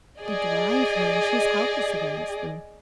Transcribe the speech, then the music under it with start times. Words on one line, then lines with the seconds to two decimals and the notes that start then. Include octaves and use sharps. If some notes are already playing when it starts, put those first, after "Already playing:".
They drive her, and she is helpless against them.
0.22 G#4 D5 D#5